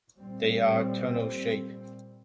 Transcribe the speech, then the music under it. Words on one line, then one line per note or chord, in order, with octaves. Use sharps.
They are tunnel-shaped.
A#2 G3 C4